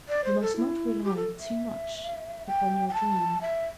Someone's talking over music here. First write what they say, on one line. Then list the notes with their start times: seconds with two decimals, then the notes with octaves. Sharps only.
"You must not rely too much upon your dream."
0.09 D5
0.24 C5
0.41 A4
0.57 E4
1.04 G4
1.16 A4
1.39 E5
2.47 G5
2.89 G5
2.94 A5
3.41 E5